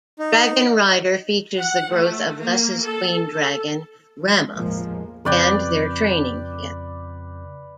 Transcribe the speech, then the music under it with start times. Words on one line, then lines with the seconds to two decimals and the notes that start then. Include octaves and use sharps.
"Dragonrider" features the growth of Lessa's queen dragon, Ramoth, and their training together.
0.19 D#4
1.57 F#5
1.92 A3
2.40 A#3
2.81 A4
3.27 A4
4.20 F3 G#3
4.54 A1 E2 F3 G#3 A#3
5.25 F2 C#3 B4 D5 G5